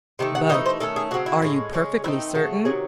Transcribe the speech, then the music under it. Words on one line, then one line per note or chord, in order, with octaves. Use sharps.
"But are you perfectly certain?"
C3 D#3 A3
F#5
E3 A3 D#4 D#5
C5
D#3 A3 C#4 A4
G#4
C#3 F#3 C4 F#4
E4
A2 G#3 C#4
C#3 G#3 C#4
D#3 A3 C4 D#4 E4
C#3 F#3 A3
C3 D#3 F#3 C#4 G#4